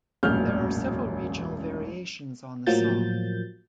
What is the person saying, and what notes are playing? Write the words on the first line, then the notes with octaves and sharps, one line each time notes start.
There are several regional variations on the song.
E1 A1 F#2 A#2 F6 G6
A2 F3 F#3 A#3 G6 A6